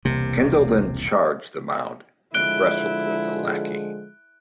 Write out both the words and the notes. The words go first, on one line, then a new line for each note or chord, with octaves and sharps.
Kendall then charged the mound and wrestled with the Lackey.
E1 C2 C3 A#3
D3 F3 G#3 E4 F#6 D7 G7